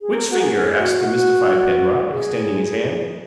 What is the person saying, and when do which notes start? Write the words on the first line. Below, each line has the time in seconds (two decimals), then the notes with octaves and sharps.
"Which finger?" asked the mystified Penrod, extending his hand.
0.01 G#4
0.15 A#4
0.31 F#4
0.40 G#4
0.53 G#4
0.80 F#4
1.06 F#4
2.11 G#4